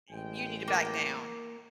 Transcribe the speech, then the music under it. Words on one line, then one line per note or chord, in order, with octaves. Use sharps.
you need to back down
A1 G#3 G5
A#3